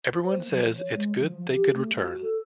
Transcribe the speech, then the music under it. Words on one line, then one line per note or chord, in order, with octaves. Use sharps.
Everyone says it's good they could return.
C5
A#3
F#3
F3
C#5
G#3
F3
F3
G4
A3
F#4
A4